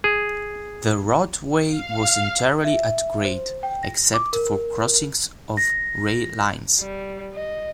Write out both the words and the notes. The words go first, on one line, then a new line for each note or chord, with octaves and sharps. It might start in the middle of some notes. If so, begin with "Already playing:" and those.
The roadway was entirely at-grade except for crossings of rail lines.
G#4
F5
E5
C5
G5
A#6
D6
A#4
A#6
G3
D#5